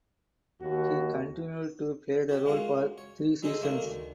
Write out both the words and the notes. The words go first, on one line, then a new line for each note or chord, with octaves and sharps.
He continued to play the role for three seasons.
D#2 F#4
F#4 G4 D5
G#3 A#3 C#4 F4 F#4
C#5
F#3 D#4 G#4 A4 C5 D#5
F#3 A3 A#3 D4 D#4 A#4
D2 D#3